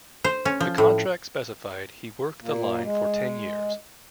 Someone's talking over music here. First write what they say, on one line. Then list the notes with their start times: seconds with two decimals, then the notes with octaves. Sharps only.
The contract specified he work the line for ten years.
0.24 C5
0.45 C#4
0.60 F3
0.78 A2
2.42 A#2 A#3
2.82 G#3